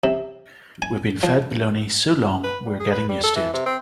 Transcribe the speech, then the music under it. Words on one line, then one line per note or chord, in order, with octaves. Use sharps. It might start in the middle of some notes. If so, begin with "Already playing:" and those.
We've been fed baloney so long we're getting used to it.
C3
G#5
F3
B4
G3
G#4
B4
G3
A4
E3
C3
C4